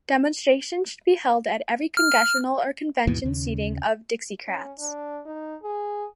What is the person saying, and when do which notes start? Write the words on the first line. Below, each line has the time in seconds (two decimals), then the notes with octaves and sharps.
Demonstrations should be held at every Congressional or convention seating of Dixiecrats.
1.97 F6
3.07 D#2 G#2 B2 E3
3.24 D#2 C#3
4.48 C#4
4.78 D4
5.26 D#4
5.63 G#4